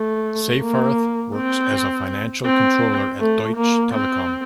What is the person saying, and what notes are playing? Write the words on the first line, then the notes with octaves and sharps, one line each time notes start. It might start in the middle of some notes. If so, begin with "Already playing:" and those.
Seyfarth works as a financial controller at Deutsche Telekom.
Already playing: A3
A#3
C4
C4
A3
A#3
C4